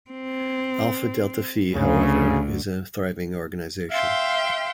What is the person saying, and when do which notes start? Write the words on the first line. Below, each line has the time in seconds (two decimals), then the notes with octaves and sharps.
Alpha Delta Phi, however, is a thriving organization.
0.10 C4
1.74 D2 C#3
3.90 E5 F5 G5 C6